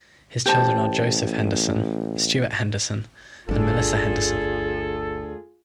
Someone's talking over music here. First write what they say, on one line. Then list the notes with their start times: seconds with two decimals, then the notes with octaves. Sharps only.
His children are Joseph Henderson, Stuart Henderson and Melissa Henderson.
0.46 A1 G4 C5 A5
3.49 G1 D2 D4 F4 G#4 A4